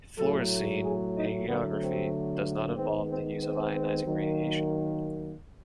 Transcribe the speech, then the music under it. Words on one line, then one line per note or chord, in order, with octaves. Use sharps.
Fluorescein angiography does not involve the use of ionizing radiation.
A2 F#3 A3 A4
G#4
D#4
D3 F#3 A3 B3
C4
D#3 G#3 B3 C4
C4
C4
D#3 F#3 A#3